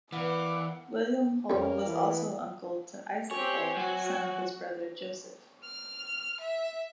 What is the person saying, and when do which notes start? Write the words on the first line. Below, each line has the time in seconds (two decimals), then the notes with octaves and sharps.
William Hull was also uncle to Isaac Hull, son of his brother Joseph.
0.12 E3 B3 A#4 B4 D5 F5 F#5 D6
1.50 F2 G3 A#3 C#4
1.85 E3
3.31 C4 G4 C#5 G#5
3.77 F#3 F#4
5.64 F6
6.40 E5